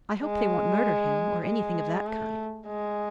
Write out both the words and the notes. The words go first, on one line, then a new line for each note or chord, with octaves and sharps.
I hope they won't murder him, or anything of that kind.
G#3
G#3
A3
G#3